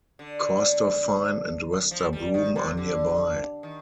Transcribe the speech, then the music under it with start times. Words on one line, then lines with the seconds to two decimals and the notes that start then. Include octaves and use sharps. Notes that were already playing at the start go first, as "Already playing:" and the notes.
Corstorphine and Wester Broom are nearby.
0.19 D3
1.91 F3
2.13 G3
2.34 D#3
2.56 C3
2.77 D3
3.63 D#3